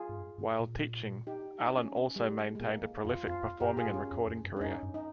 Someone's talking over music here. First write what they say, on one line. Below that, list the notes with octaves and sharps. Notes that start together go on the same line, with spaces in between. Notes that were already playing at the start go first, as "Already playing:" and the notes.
While teaching, Alan also maintained a prolific performing and recording career.
Already playing: F4 G#4
G#2
G2
G#2
A#2
D#4 G4
D#4
C#4
G3
G#3
A#2 A#3
F2 F4
F2 F4
F2
G2 G4 A#4
A#2 F4 G#4
G#2
G2 C#4
F2
F2
G2
C#4
F2 D#4
G2
D#4